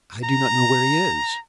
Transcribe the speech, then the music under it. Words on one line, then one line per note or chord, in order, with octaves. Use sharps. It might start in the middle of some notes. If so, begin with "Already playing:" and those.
"I do not know where he is."
A#5